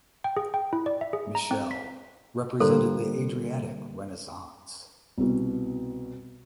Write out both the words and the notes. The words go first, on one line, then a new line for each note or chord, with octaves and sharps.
Michele represented the Adriatic renaissance.
G5
G#4
G5
E4
D5
E5
G#4
A#5
C4
B6
D3 G3 A#3 A4 C5 C6
C2 B2